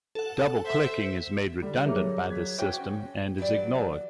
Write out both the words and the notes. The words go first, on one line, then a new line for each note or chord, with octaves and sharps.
Double-clicking is made redundant by this system and is ignored.
A4 F#5
C5 E5
D3 G3
F#3 G#4 A#4 C#5 E5
F#6 G#6 B6
C#4 F#4 C5 G5
E3 F#3 G4 D5